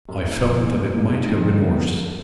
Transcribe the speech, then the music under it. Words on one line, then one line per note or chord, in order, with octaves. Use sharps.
I felt that it might have been worse.
F#2
F#1
F3
A#2
G#3
A#2
D#4
F2
D3
B3
F3